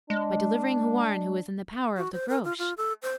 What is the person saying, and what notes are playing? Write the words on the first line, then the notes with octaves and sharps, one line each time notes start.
'By delivering Houarn, who is in the power of the Groac'h.'
G#3 D4
F#4
C5
A#4
F4
F4
A4
C5